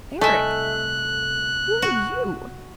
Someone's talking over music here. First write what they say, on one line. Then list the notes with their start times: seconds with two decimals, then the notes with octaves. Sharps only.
"Eric,--who are you?"
0.21 C2 A3 A4 D#5 E5 G#5 F#6
1.82 F#4